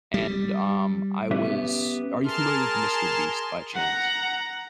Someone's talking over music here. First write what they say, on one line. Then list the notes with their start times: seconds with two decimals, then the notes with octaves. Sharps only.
And, um, I was are you familiar with MrBeast by chance?
0.14 G3
1.31 B3 C#4 G4 E5
2.24 G#4 A#4 A5 C6 F6
3.74 F#5 A#5